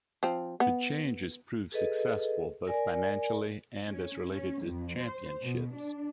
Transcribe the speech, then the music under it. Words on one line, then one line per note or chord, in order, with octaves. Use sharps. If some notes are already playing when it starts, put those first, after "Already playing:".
The change has proved successful, both financially and as related to championships.
F3 C4
B3
G#4 A4 B4 D#5
A#4 D5 G#5
C#4
C#4
F2
C5
B2
D4